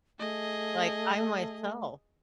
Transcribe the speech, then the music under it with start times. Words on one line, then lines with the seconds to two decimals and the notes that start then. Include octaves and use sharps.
Like, I myself
0.19 A3 G#4 D#5